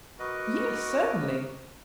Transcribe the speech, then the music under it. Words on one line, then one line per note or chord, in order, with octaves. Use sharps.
"Yes, certainly."
F#4 A#4 B4 D#5 C#6 D6